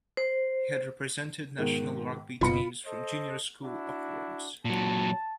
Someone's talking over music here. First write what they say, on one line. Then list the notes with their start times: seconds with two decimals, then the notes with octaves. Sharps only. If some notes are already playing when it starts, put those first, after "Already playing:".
He had represented national rugby teams from junior school upwards.
0.17 C5
1.58 G#2 B2 D#3
2.41 F#1 B2 F4 B5 C#7
2.86 A4 C5 D#5
3.63 D4 E4 F#4
4.65 A#2 F#3 A5